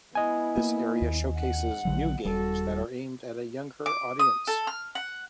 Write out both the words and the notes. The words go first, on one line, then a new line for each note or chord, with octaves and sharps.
This area showcases new games that are aimed at a younger audience.
B3 E4 D#5 G#5
A#3
D#2
F#5
A#1 D3 F#3
D#1 G3 F#4 A4
D6
D#6
A4
F6
F#5